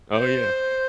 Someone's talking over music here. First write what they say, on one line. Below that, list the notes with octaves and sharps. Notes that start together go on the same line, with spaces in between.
Oh, yeah.
C5